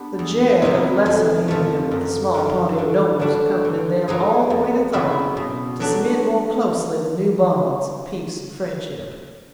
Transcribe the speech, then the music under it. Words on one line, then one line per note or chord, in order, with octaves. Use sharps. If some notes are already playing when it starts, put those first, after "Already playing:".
The jed of lesser Helium with a small party of nobles accompanied them all the way to Thark to cement more closely the new bonds of peace and friendship.
Already playing: B3 D4 G4
E2
C3 D#3 F#3 B3
F2
C3 F3 A3
F#2
D3 F3
D3
F3 A3 D4 F#4
D3
F#3 A#3 D#4 G#4
F2
C#3 F#3 B3 E4
B2
F#3 A3 D4 F#4